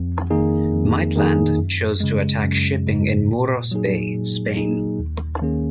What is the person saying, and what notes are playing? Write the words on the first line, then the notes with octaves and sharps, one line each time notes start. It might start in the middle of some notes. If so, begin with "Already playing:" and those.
Maitland, chose to attack shipping in Muros Bay, Spain.
Already playing: F2
D#3 A#3 D#4 G#4
F2
D#3 A#3 D#4 G#4
F#2
C#3 G#3
F#2
C#3 G#3
A#2
F#3 A#3 D#4 G#4
A#2
F#3 A#3 D#4 G#4
D#2
D#3 A#3 C#4 G#4